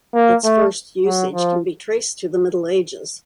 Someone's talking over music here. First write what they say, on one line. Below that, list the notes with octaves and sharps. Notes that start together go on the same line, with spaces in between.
Its first usage can be traced to the Middle Ages.
A#3
A3
F#3
F3